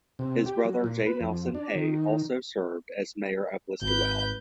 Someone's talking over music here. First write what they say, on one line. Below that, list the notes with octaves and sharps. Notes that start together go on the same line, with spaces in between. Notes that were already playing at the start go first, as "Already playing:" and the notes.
His brother J. Nelson Hay also served as mayor of Listowel.
C3
G4
F#3
A#2
B4
F2
D4
D#3
G#1 B4 G6